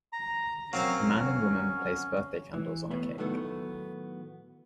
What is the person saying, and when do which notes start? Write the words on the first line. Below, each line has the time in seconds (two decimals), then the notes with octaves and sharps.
A man and woman place birthday candles on a cake.
0.13 A#5
0.73 F#3 A#3 C4 C#4 C5
2.54 E3
2.91 A2 B3
3.18 A2 D#3 F#3 A3 B3